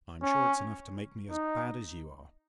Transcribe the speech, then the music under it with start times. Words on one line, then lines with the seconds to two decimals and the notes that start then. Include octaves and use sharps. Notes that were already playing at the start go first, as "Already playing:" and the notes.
I'm sure it's enough to make me as bad as you are.
0.22 C#4
1.31 D#4